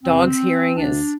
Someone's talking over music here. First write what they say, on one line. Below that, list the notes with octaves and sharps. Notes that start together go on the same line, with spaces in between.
dog's hearing is
E2 C3 E3 C4
D2 D3 D4